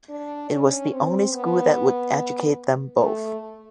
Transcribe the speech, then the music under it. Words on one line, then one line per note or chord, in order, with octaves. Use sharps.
It was the only school that would educate them both.
D4
C#4
C4
B3
A3